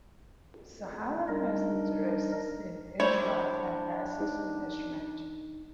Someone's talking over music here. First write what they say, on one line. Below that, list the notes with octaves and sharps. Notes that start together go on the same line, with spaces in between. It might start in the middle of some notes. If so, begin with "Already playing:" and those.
Sahara has interests in insurance and asset management.
G3 D4 D#4 A#4 D#5
G3 D4 E4 C5 C#5
D#4